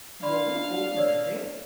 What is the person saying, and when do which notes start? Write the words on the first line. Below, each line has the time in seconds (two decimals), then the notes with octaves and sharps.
"Gone already?"
0.23 D4 D5 F5 B5 C6
0.97 C#5 D5 E6